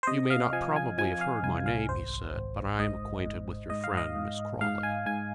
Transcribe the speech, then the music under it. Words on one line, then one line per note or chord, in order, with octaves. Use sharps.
"You may not probably have heard my name," he said, "but I am acquainted with your friend, Miss Crawley."
C5
C3 D#5
F5
F3 G#5
G#5
F3 G#5
F5
C2 G#5
F5
G#1 C5
G#1
G#2 D#5
G#2
G#2 D#5
F5
D#5
G#2
G#2 F5
G#5
G#2 G#5